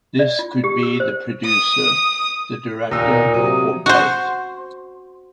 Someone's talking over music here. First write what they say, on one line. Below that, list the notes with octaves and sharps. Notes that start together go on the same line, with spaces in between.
This could be the producer, the director, or both.
D5
F4
G4
E6
C5
D#6
D#2 A#2 D#4 F4 A#4 E6
C3 F#3 D#6
F#4 C5